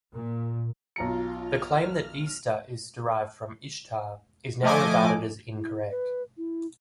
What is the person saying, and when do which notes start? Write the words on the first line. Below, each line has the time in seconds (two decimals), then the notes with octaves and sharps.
The claim that "Easter" is derived from "Ishtar" is now regarded as incorrect.
0.13 A#2
0.96 B1 F4 A#5 C#7
1.44 F6
4.62 F3 A3 D#5 G#5 D6
5.56 E4
5.90 B4
6.37 E4